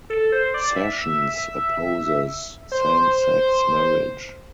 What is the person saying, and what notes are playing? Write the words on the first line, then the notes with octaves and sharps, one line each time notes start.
Sessions opposes same-sex marriage.
A4
C5
D5
E5
C5